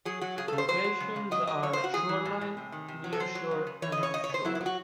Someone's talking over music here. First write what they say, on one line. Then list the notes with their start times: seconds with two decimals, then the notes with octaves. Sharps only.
Locations are shoreline, nearshore and offshore.
0.05 F#3 G#4
0.21 F#3 F#4
0.38 C#3 G#4
0.48 C#3 A4
0.58 C5
0.68 F#3 C5
0.84 F#3
1.00 C#3
1.16 C#3
1.31 F#3 D#5
1.47 F#3 D#5
1.63 C#3 C#5
1.73 C#3 C5
1.84 F#4
1.94 E3 G#4
2.09 E3
2.25 A2
2.41 A2
2.57 C3
2.72 D#3
2.88 C3
3.04 F#3
3.13 A4
3.20 F#3 C5
3.35 F#3
3.51 C#3
3.67 C#3
3.82 E3 C#5
3.92 D#5
3.97 E3
4.03 C#5
4.14 C#3 D#5
4.24 C#5
4.29 C#3 C5
4.45 F#3 E4
4.55 E4
4.61 F#3
4.66 F#4